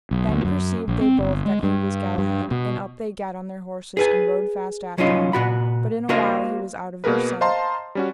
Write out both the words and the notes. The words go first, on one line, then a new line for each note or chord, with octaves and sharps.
Then perceived they both that he was Galahad; and up they gat on their horses, and rode fast after him, but in a while he was out of their sight.
B1
D2
F#2
A#1
C4
G1
G#3
G2
G2
B2
G#4 B4 G#5
C2 F#3 C#4 D#4 F4 D#5
A#2 F#4 B5
A#3 F#4 A#4 C5 D#5 F5
B2 A#3 G#4 A#4 B4
C5 D#5 F5 A5 A#5 C6
G3 C#4 F#4